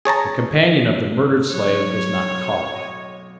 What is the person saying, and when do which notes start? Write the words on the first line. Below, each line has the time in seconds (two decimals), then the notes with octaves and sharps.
The companion of the murdered slave was not caught.
0.05 G#4 C#5 A5 A#5
1.52 A2 F#3 C#5 F#6
2.28 B1 C4
2.75 D#5